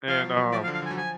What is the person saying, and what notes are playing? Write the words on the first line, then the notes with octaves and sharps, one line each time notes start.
and, um,
F3 F5
F#3
F#3
F3 D5
F5
D3
F5
D3 G#5
F#3
F3 G#5